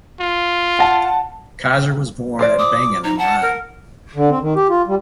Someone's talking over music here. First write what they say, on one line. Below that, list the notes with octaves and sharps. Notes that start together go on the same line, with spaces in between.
Kayser was born at Bingen am Rhein.
F4
F#5 A5
F3 C5 D5
D6 D#6
D#4 A#5
F#5 A5
A#4
D3
C4
D#3
G4
F4
G3